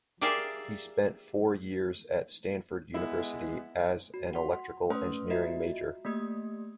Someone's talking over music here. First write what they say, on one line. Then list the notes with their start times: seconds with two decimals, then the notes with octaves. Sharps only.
He spent four years at Stanford University as an electrical engineering major.
0.21 G4 G#4 A#4 D5 E5 F5
2.94 G#3 B3 E4
4.14 F#4
4.34 F#5 C6
4.90 A3 C#4 B4 C6 D#6 F6
5.30 F4 F#4 D#5 E5
6.05 A3 A#3 G4 D#6 G#6